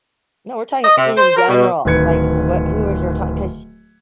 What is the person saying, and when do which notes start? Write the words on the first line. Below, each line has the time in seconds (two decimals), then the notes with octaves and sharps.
No, we're talking in general. Like, what who is your top 'cause
0.84 D#5
0.97 C3
1.17 C5
1.36 A#4
1.49 B2
1.85 D1 D#3 B4 G#6 C#7